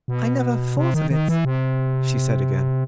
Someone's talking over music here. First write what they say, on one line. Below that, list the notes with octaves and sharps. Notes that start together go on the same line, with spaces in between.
"I never thought of it," she said again.
B2
C3
D#3
D#3
E3
C3